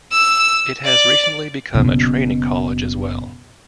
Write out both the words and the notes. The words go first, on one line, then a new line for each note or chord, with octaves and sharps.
It has recently become a training college as well.
E6
D5
F#1 B2